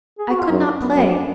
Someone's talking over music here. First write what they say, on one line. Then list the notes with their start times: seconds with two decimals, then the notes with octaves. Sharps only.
I could not play.
0.19 G#4
0.30 F#4
0.40 F4
0.49 F#2 D#4
0.82 B3
0.96 F#2 B3
1.12 D4